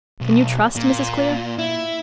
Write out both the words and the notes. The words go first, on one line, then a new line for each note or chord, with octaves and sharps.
"Can you trust Mrs. Clear?"
B1
A#2
E4